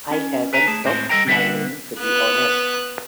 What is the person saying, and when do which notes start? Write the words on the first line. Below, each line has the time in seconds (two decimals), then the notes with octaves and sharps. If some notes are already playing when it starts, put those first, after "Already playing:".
I haven't stopped smiling to be honest.
0.11 C#4
0.53 B4 G#5 A#5
0.67 A3 G#4 A5
0.85 A2 G#3 C4 A#5 C6
1.09 G3 A4 B4 D#5 G5 A#5
1.27 D3 G3 B4 E5 F#5
2.01 B3 F#6